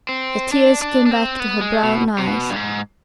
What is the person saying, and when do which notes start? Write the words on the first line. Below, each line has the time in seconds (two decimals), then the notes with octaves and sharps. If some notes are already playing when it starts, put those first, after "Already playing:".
The tears came back to her brown eyes.
0.09 C4
0.52 D4
0.82 D4
1.06 D4
1.11 C4
1.40 B3
1.61 G#3
1.83 B2
2.19 C3
2.26 B2
2.50 G2
2.56 G#2